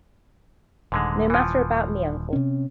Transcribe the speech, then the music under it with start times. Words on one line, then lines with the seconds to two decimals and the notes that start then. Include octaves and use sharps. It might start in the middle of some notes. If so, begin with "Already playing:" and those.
No matter about me, uncle.
0.92 D#1 G#2 D3 G#3
1.30 E3 F3
2.33 C3 C#4